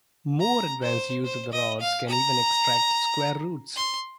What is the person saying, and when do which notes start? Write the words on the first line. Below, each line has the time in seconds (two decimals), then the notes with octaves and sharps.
More advanced use of the rods can even extract square roots.
0.40 A#5
0.82 C5
1.24 C5
1.52 D#5
1.80 F5
2.09 A#5
3.76 C6